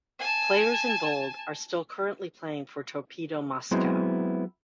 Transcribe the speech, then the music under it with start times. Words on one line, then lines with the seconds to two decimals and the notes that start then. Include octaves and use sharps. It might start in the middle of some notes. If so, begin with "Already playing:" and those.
Players in bold are still currently playing for Torpedo Moscow.
0.20 G#5 A5
3.71 F#3 G#3 B3 C4 E4